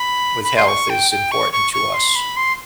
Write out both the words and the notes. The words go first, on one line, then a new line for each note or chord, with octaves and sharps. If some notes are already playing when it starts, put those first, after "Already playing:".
with health is important to us.
Already playing: B5
B5
C6
C#6
G5
G5
C#6
C#6
C#6
C6
B5
C6